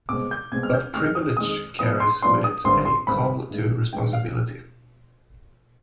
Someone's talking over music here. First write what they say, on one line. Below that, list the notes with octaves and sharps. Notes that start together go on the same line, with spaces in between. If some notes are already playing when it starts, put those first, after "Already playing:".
But privilege carries with it a call to responsibility.
C2 B2 G#3 C4 D6
G6
C2 B2 G#3 C4 G#6
F6
G6
F2 D#3 G#3 F6
D#6
F2 D#3 G#3 D#6
G2 F3 B3 D4 D#6
C6
G2 F3 B3 D4 C6
D#6
G#1 G2 D3 G3 C4 C6
C6
G#1 G2 D3 G3 C4 B5
G2 D#3 G#3
G2 D#3 G#3 G5
F5